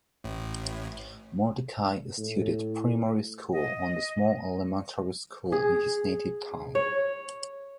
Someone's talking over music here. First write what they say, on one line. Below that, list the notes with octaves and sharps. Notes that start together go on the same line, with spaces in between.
Mordecai studied primary school on a small elementary school in his native town.
A1 A2
A2
D#5
G#4
C#5